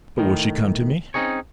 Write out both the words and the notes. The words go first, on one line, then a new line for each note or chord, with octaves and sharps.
"But will she come to me?"
A2 D#3
C4 C#4 D#4 G#4 C#5